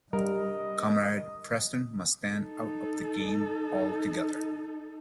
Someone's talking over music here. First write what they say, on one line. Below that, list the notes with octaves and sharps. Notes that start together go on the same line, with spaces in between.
Comrade Preston must stand out of the game altogether.
G3 A#4 D#5
D#4 A4